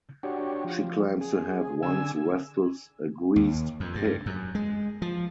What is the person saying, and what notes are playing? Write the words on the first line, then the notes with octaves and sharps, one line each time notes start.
She claims to have once wrestled a greased pig.
D4 F#4 G4 C#5
F3
G#4
D3 G#5 E6
D#2
F2
G2
F#2
G#3
F3